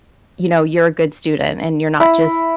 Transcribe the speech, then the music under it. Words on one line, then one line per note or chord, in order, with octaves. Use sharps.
you know, you're a good student, and you're not just"
E4